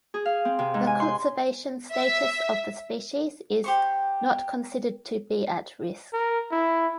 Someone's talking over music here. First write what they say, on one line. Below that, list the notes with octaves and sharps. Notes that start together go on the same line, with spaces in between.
The conservation status of the species is "not considered to be at risk".
G#4
F5
C4
C3
G#2
G#5
C6
E5
G4 C5 C#6
A#4
E4